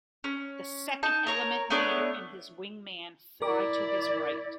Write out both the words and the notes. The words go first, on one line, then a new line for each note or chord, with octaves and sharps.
The second element leader and his wingman fly to his right.
C#4
D#4 A5
A#4 C#5 A#5
A3 B3 D4 C#5
E4 A#4 D5 D6